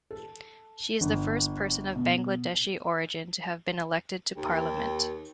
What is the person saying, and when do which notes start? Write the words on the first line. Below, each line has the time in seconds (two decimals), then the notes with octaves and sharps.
She is the first person of Bangladeshi origin to have been elected to Parliament.
0.11 A4
1.01 G1
1.96 B2
4.37 D#2 G4